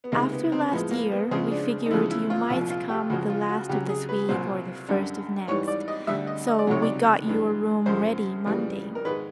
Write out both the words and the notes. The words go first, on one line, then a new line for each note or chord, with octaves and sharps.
"After last year, we figured you might come the last of this week or the first of next, so we got your room ready Monday."
B3
C#2 C3 D#3 G#3 A#3
B3
C4
A2 F3 G#3 B3
A#3
B3
C#2 C#3 F3 G#3 C4
D4
D#4
E2 C#3 F3 G#3 E4
E4
F4
C2 A#2 F3 F4
F4
G4
C#2 C#3 F3 G#3 F#4
F4
F#4
C#2 C#3 F#3 G4
G#4
B4
C2 A#2 F#3 C5
F#2 D3 G3
G#2 E3 G3 C#5
D5
D#5
D2 D3 G3 E5
D#5
D#5
D5
C#2 C3 D#3 F#3 C#5
D5
G2 E3 G#3
F#2 C#3 F3 G#3 C5
F2 C#3 E3 G3
A#4
G#2 D#3 G#3 B4